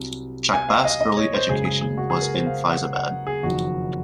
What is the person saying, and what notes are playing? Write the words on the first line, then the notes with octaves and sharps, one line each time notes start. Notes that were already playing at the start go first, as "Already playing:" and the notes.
Chakbast's early education was in Faizabad.
Already playing: C2 C3 F#3
G#5
F5
D#5
D#5
C#5
C5
F#1 F#2 C#3 G#3 G#4
G#4
G#4
F#4
G#4
A#4
C5
F5
F#5
F#5
G#4
F#1 F2 D#3 F#3 F#4